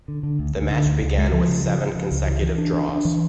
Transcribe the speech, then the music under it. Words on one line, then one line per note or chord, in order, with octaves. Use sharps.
The match began with seven consecutive draws.
D3
D3
D2
D2
D3
D2
C#2
G#3
F3
C#3
F3
F3
C#3
C#2
E3
E3
D4
D4
D4
E3